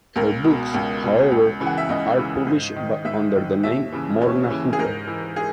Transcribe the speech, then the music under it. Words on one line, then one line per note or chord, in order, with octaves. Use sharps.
Her books, however, are published under the name Morna Hooker.
C#2 A#4
B2
C#2
B2
C#2
C#3 E3
F#5
E5
C#2 D#5
C#3 E3
G#2
D#3
G#2 E5
D#3
D#2 E5
C#3 E3
D#2 C#5
C#3 E3
G#4
G#2 A#4
E3
G#4